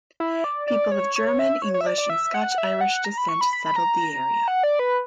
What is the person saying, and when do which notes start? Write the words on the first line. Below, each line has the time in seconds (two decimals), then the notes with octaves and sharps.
People of German, English, and Scotch-Irish descent settled the area.
0.20 E4
0.44 D5
0.68 D5
0.91 C#5
1.16 C#5
1.39 E5
1.62 C#5
1.74 C#5
1.81 E5
1.87 D5
1.98 D5
2.10 E5
2.34 F#5
2.52 F#5
2.58 E5
2.81 F#5
3.05 A#5
3.18 B5
3.29 C#6
3.41 B5
3.53 B5
3.66 B5
3.76 A#5
4.48 F#5
4.63 D5
4.79 B4